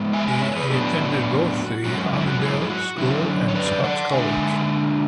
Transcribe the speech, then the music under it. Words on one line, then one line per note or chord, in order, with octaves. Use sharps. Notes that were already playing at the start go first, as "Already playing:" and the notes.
He attended both The Armidale School and Scots College.
Already playing: G#2 G#3 B3
E5 G#5
E5 G#5
C#5 E5
C#5
G#4 B4
A2 F#3 B3 D4 G#4
F#4
E4
F#4
G#2 F#3 C#4 F#4
E4
F#4
E4 G#4
G#4
F#4
D3 F#3 C#4 E4
C#5
B4 D5
D5 F#5
D3 G#3 D4 E5 G#5